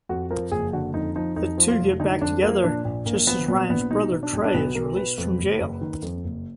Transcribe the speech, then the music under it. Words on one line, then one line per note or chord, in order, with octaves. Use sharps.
The two get back together, just as Ryan's brother Trey is released from jail.
F2 F#4
F3 A#4
F#1 G#4
D3 F#4
F2 D#4
F3 D#4
F2 D#4
F3
F4
F1
D3 D#4
F2 D4
F3 A#3
A#2 D4
A#1
A#1 A#3
F3 B3
A#2 B3
A#1 B3
B2 D#4
B2
D4
B1
D4
B1 B3
B2 A#4
B2 B4
F2
F#1
F#1
D#3
F2
F#1